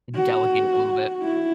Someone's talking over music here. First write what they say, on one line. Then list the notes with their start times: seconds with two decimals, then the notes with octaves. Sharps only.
Delegate a little bit.
0.16 F#4
1.23 E4